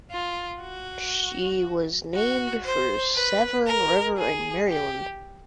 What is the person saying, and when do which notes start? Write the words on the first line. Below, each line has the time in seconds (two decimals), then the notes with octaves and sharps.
She was named for Severn River in Maryland.
0.11 F4
0.61 F#4
2.14 F#4
2.64 C5
3.15 B4
3.66 A#4
4.17 G#4
4.69 G4